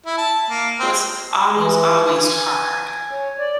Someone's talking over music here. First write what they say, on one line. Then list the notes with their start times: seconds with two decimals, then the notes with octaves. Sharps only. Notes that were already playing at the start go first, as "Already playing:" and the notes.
was almost always hard,
0.06 E4
0.18 A5
0.50 A#3
0.80 C4
1.57 E3
2.15 G#5
3.11 C#5
3.38 D5